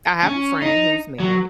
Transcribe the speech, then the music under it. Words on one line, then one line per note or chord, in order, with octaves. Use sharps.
I have a friend who's married
C#4
D#4
F#3